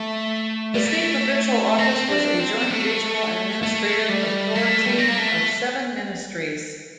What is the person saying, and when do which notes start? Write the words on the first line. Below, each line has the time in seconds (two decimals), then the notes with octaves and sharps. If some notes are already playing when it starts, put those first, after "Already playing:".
The State Provincial Office was a joint regional administrative authority of seven ministries.
Already playing: A3
0.74 G3
0.85 A3
1.78 C4
2.08 D4
2.40 C4
2.71 A3
3.63 A3
4.09 G3
4.55 A3
4.86 G3
4.98 C4
5.08 A#3
5.17 A3